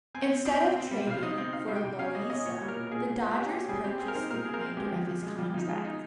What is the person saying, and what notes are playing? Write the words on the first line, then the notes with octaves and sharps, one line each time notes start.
Instead of trading for Loaiza, the Dodgers purchased the remainder of his contract.
C4 G#5
C4
C4
C4 G5
C4
G3
C3 F5
D#4 D#5
C4 D#5
D#4 F5
G3 F5
G5
C3
C#4 F5
G3 D#5
C#4 D#5
A#2 C#5
G3
A#4
A#2
A#4
A#2 G#4
A#2
A#2
C#4 G4
C#4 G4
G3 G#4
C4 G4
C4 G#4
A#4
D#4 C5
A#2 A#4
C4 G#4
A#4
C4
G#3 G4
F3
F3
G#3
F3
F3 D#4
G#3 F4
D#4